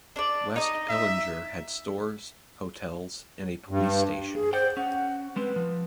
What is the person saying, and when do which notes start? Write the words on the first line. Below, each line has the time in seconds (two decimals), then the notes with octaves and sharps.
West Pillinger had stores, hotels and a police station.
0.16 D4 D5
0.56 D#4 D#5
0.89 E5
3.69 G2
4.34 G#4
4.53 C5 D5 F#5 G5
4.77 C#4 F#5
5.36 G3 G#3 C4 B4
5.56 F3